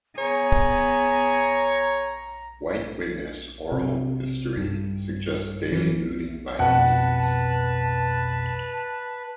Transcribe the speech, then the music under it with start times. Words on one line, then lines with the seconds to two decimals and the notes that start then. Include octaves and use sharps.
White witness oral history suggests daily looting by Indians.
0.18 B3 G#4 C#5 A#5
3.72 C3
4.57 G2
5.72 E3
6.59 F2 B2 B4 F#5 A5